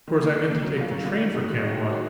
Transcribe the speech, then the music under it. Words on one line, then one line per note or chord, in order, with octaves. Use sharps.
Of course, I meant to take the train for Camelot.
D#3
A#3 D4
D#3
A#3 D4
F#3
B3 F4
F#3
B3 F4
D#3
G#3 D#4 F#4
D#3
G#3 D#4 F#4
A#2
G#3 D#4 F#4